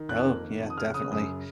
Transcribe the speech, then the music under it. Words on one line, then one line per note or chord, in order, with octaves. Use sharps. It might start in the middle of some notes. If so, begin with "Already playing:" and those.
Oh, yeah, definitely
Already playing: D#3
F2 F#6
A#3
D#3
F2
D#6
C#3 F6
C#3 D#6
F#2 D#6
C#3